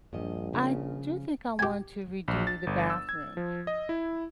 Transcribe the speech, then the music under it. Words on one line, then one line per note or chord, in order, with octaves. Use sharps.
I do think I want to redo the bathroom,
A#1 G2 F3 D#5
C#3 F3
G4 G#5
A#1
A6
G1
E6
G#6
F3
D#5
E4